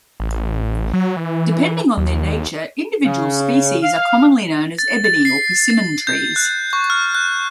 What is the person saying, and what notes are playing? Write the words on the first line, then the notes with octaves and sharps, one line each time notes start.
Depending on their nature, individual species are commonly known as ebony or persimmon trees.
A1
F#3
E3
D#2
C#3
F5
A6
A6
C7
A6
G6
F#6
C#6
F6
F#6